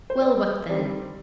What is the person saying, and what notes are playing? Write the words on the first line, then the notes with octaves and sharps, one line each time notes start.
Well, what then?
C5
D5
D#3 G3 C4 D5